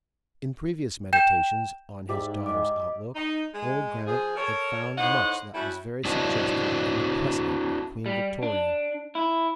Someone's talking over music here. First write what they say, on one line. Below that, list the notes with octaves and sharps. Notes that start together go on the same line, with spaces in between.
In previous meditations on his daughter's outlook old Grammont had found much that was very suggestive in the precedent of Queen Victoria.
G5 G6 E7
G#2 G4 D5 E5
D#5 D6
D#4
G#3
F3 G#4
A4 A#4 C#5
A2 D#4 C5 F#5
G3 A3 C#4 E4 F#4
D4 E4 F#4 C5 D#5
G3
D4
E4